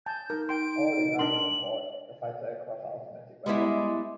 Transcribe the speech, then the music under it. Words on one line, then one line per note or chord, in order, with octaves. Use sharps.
All the guns on board the fighter aircraft are automatic weapons.
G#5 A5 G6
D#4 A#4
G5 C6 D7
D4 A#4 C6 F#7
G3 G#3 B3 E4